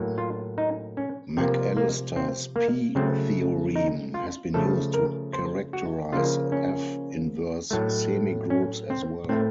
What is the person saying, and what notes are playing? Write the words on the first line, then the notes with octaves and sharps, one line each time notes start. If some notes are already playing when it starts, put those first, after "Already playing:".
McAlister's "P"-theorem has been used to characterize "F"-inverse semigroups as well.
Already playing: A2 F#3 A#3
F4
D#4
C#4
C3 F3 A#3 C4
A#3
C4
A#3
C#3 F#3 A3 C4
D#4
F4
C#3 F3 A3 A4
A#4
C5
F#4
C#3 F3 A#3 F4
C#4
A2 F#3 A3
C#4
C4
A2 A3 C4